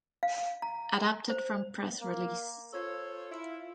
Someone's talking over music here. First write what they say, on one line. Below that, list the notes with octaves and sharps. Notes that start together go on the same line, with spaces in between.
Adapted from press release.
F5
A#5
C5
A#3
F4 A4 C5 C#5
E4